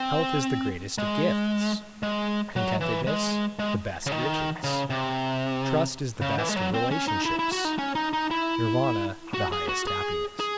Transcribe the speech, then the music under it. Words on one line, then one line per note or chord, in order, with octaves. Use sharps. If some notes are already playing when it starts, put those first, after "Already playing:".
Health is the greatest of gifts, contentedness the best riches; trust is the best of relationships, Nirvana the highest happiness.
Already playing: C4
G#3
G#3
F#3
E3
G#3
G#3
C#3
D#3
C#3
C3
C#3
E3
G#3
F#3
C4
C#4
D#4
E4
E4
F#4
D#4
C#4
D#4
D#4
E4
F#4
G#4
F#4
G#4
G#4